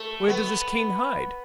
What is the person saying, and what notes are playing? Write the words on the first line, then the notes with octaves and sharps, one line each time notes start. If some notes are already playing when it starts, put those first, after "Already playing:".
Where does this Kane hide?
Already playing: A3
B3